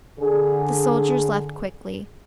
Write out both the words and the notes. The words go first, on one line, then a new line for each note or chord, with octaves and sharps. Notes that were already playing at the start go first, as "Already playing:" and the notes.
The soldiers left quickly.
D3 G#4